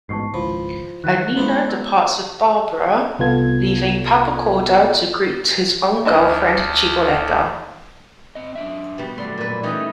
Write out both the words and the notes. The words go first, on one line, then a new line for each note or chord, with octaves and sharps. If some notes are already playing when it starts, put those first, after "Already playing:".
Annina departs with Barbara, leaving Pappacoda to greet his own girlfriend, Ciboletta.
A1 G#2 B2 A5 C#6 C7
G#1 C#2 F3 E4 B5
D#3 E3 F#3 F#6
G#3 A#3 B3 E4 C5
E6
C2 C3 B3 F4 A4 G#6
D2 D4 E4 D#5
C4 D#5
F#2 D4 E5
B2 G3
F#2 F#3 A3 D5 C6
A#2 B4
E3 G3 A3 C#4 D#4